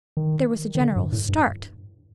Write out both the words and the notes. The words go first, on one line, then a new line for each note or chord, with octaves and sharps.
There was a general start.
D#3
D#3
D3
G2
A2
G2